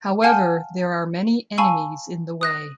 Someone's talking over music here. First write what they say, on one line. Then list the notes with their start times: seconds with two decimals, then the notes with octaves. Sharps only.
However, there are many enemies in the way.
0.23 F5 F#5 G#5 A5 F6 G6
1.58 F5 G#5 A5 B5 C#6 E6
2.41 D#6 F#6 A#6